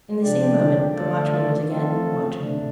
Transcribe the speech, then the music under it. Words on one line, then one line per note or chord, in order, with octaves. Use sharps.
In the same moment the watchman was again watchman.
C3 F3 D4 G4 D5
D3 A3 F4 A4 D5
F3 A3 C4 F4 A4
C3 A3 D4